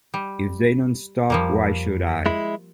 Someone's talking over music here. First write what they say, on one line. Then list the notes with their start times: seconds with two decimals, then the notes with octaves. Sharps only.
If they don't stop, why should I?
0.14 G3
1.30 F2 F3 G3 A#3
2.26 G#3 E4